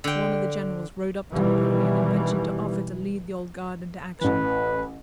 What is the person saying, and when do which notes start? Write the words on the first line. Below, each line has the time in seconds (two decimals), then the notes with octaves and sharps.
One of the generals rode up to Napoleon and ventured to offer to lead the Old Guard into action.
0.04 D3 G5
1.32 B2 D#3 E3 G3
4.21 A1 E3 B4